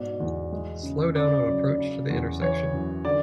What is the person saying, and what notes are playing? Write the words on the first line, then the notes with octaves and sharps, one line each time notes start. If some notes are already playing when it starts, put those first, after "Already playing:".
Slow down on approach to the intersection.
Already playing: G#2 B2 D5
E2
G#3
C#3
C#3 D5
F#2
C#3
E2
E3 C#5
F#2
D3 D5